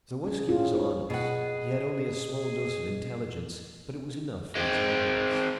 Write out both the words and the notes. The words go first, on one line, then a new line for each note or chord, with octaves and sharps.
Zawoiski was honest, he had only a small dose of intelligence, but it was enough for his happiness.
C#4 G#4
E4 F4 G4 G#4 C#5
D#4 G#4 C5 C#5
B2 G#4 F#5
G#3 C4